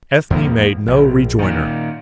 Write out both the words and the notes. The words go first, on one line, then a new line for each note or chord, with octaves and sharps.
Ethne made no rejoinder.
E2 F3 A3 A#3
A#1
A#2 D#3